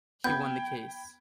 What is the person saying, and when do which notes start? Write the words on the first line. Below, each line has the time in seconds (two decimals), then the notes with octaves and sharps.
He won the case.
0.24 B3 G5 B5 G6 G#6